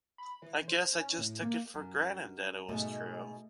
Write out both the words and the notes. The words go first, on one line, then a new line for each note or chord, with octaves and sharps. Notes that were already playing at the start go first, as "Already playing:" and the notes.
I guess I just took it for granted that it was true.
B5
E3
C5
C#4
A2
A#3
F#2
G#2 B2 A3